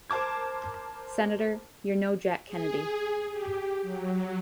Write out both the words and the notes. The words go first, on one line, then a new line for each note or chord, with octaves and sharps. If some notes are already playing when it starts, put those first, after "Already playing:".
Senator, you're no Jack Kennedy.
A#4 C5 A5 D6 G#6
G#4
G4
F#3